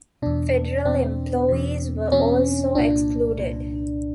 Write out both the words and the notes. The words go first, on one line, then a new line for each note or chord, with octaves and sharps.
Federal employees were also excluded.
E2 B2 D4
E2 B2 C4
E2 B2
E2 B2 C#4
C2 A#2 D4
C2 A#2